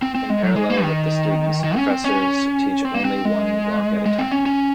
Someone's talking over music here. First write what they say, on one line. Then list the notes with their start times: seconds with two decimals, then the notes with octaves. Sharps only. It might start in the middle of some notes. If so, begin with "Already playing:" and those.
In parallel with the students, professors teach only one block at a time.
0.02 C4
0.15 C4
0.30 G#3
0.43 F#3
0.56 G#3
0.70 A#3
0.83 D#3
1.64 D#3
1.77 C#4
1.90 C4
2.04 C#4
2.85 C4
2.94 A#3
3.05 C4
3.25 G#3
4.06 G#3
4.19 C4
4.31 C#4
4.46 C#4